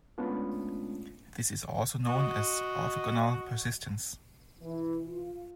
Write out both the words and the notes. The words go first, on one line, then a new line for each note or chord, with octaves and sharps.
This is also known as orthogonal persistence.
G#3 A3 B3 C#4 D4 F4
F#4 D#5
E3
F4